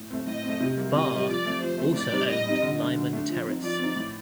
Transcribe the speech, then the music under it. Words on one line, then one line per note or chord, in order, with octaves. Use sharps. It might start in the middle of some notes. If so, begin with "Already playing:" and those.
Barr also owned Lyman Terrace.
Already playing: A2
A3 C4
A2 D#5
C4
A3
C3
G3 A#3
C3 D#5
G3 A#3
F3 D5
A3 C4
F3 C5
A3 C4
A2 D5
G3 C4 D#4
A2 D#5
G3 C4 D#4
D3
A3 D4
D3
A3 D4
F3
C4 D#4
F3 D5
C4 D#4
A2